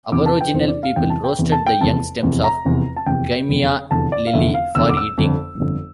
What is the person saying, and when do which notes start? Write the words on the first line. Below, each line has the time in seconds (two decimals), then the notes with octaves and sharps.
Aboriginal people roasted the young stems of gymea lily for eating.
0.12 E2 C3 E3 D6
0.26 A5
0.41 G5
0.54 E2 C3 E3 C5
0.68 D5
0.83 F5
0.96 E2 C3 E3 G5
1.10 A5
1.24 G5
1.39 E2 C3 E3
1.52 A5
1.67 G5
1.81 F1 E2 C3 A5
2.23 F1 E2 C3
2.44 A#5
2.65 F1 E2 C3
2.96 A5
3.06 F1 E2 C3 G5
3.49 F1 E2 D3
3.91 F1 E2 D3 A5
4.12 D5
4.27 F5
4.33 F1 E2 D3 E5
4.54 F5
4.75 F1 E2 D3 E6
4.89 D6
4.97 E6
5.18 G1 F2 D3
5.60 G1 F2 D3